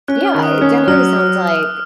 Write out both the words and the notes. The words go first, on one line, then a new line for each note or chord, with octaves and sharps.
Yeah, it definitely sounds like
C#4 F#6
F6
D#3
D#6
C#4 D#6
F#3 F6